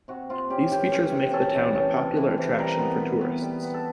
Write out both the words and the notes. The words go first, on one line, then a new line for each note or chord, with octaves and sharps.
These features make the town a popular attraction for tourists.
C3 F#4
C3 F4
C#4 G4
E3 G4
C#4
C3
C#4 A4
E3
C#4
C3
E3
E3
G3 A#4
B3
B3
B3
G3
B3
A4